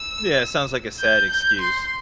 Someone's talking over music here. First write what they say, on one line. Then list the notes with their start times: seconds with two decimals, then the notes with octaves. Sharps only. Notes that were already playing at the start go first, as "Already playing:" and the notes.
Yeah, it sounds like a sad excuse.
Already playing: E6
0.99 G6
1.30 G6
1.61 C6